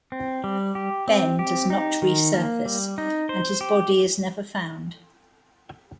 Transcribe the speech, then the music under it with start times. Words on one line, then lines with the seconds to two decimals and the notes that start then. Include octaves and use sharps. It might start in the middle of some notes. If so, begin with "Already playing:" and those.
Ben does not resurface and his body is never found.
0.12 C4
0.44 G3
0.75 G4
1.08 C4
1.39 G4
1.70 D#4
2.02 D#3
2.34 A#3
2.66 G3
2.98 D#4
3.29 C5
3.61 G4